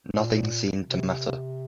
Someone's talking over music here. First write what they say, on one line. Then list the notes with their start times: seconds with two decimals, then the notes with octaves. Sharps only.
Nothing seemed to matter.
0.17 A#2
0.89 C3